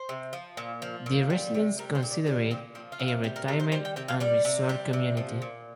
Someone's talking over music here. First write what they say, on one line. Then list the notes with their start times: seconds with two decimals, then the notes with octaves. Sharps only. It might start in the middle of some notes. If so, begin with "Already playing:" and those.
The residents consider it a retirement and resort community.
Already playing: C5
0.09 C3
0.33 F3
0.57 A#2
0.82 F3
1.06 A#2
1.30 G3
1.54 C3
1.79 G3 A#4
1.95 C5
2.03 A#2
2.11 D5
2.27 G3 D5
2.51 A#2 C4
2.75 F3 C4
2.92 F4
2.99 C3
3.08 F4
3.24 G3 G4
3.36 A#4
3.48 C3 A#4
3.60 C5
3.72 G3 C5
3.85 G5
3.96 C3 G5
4.08 F5
4.20 G3 D5
4.45 C3
4.69 G3
4.93 C3
5.17 F3
5.42 A#2